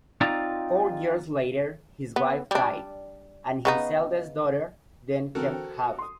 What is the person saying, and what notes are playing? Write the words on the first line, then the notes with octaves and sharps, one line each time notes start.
Four years later, his wife died, and his eldest daughter then kept house.
C4 D#4 F4 D5 A#5
B3
G3 D4
C#3 B3 D#4
D3 E3 C4 F#4 A4 A#4
C5 G5
C6 D#6